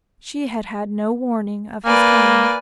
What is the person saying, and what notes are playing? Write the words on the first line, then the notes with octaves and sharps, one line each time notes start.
She had had no warning of his coming.
A#3 B4 D5 G#5